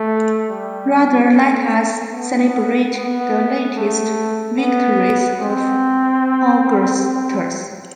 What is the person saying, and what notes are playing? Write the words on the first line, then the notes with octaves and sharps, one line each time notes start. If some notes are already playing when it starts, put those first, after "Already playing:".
Rather let us celebrate the latest victories of Augustus.
Already playing: A3
G3
A3
B3
B3
A3
B3
C4